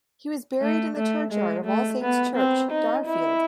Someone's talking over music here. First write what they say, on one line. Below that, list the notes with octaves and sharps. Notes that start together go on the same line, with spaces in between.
He was buried in the churchyard of All Saints Church, Darfield.
A3
A3
G#3
A3
B3
C4
D#4
E4